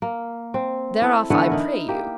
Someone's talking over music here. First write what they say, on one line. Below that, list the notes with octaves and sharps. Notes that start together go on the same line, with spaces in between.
Thereof I pray you.
A#3
C4
E4 A4
D3 E3 A3 B3
D#4 E4 A#4
A#3 G4